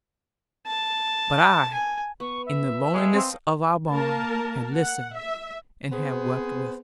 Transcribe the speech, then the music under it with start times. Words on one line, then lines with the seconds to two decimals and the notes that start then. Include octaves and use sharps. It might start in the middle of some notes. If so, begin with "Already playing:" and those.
But I, in the loneliness of our barn, had listened, and had wept with him.
0.67 A5
1.73 G#5
2.20 B3 C#6
2.46 E5
2.94 G#3 A4 F5 G5
3.13 C4 C#5 D#5 A5
3.92 A#3 A#4 A5
4.75 F#5
5.17 E5
5.91 B3 C4 G#4 C5